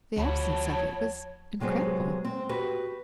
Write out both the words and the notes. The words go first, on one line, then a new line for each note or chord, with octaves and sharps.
The absence of it was incredible.
D2 F3 F#4 C#5 A5 B5
C3 F#3 G#3 B3 C5
C4
F#4 G4 B4